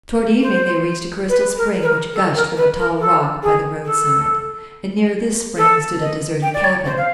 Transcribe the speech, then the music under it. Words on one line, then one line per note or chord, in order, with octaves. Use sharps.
Toward evening they reached a crystal spring which gushed from a tall rock by the roadside and near this spring stood a deserted cabin.
C5
B4
A#4
B4
A#4
A4
A#4
B4
A#4
A4
G#4
A4
A4
D#5
G5
D5
C#5
C5
F5